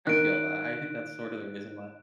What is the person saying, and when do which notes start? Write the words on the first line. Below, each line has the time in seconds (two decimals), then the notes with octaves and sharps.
I feel that. I think that's sorta the reason why
0.07 D#3 F#6 D7